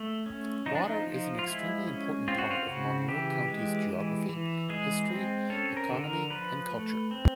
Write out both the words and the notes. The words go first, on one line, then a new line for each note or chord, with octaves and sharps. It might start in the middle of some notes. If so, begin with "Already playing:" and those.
Water is an extremely important part of Monroe County's geography, history, economy, and culture.
Already playing: A3
C#4
F3 D#4
D4
D#4
F3
F4
G#3 E4
C#4
C4 F4
F#4
F4
C#3 F#4
E3 G4
G#3
E3
E3
G#3 G#4
C4
C#4 A4
A#4
D3
A#4
F3 B4
A3
C4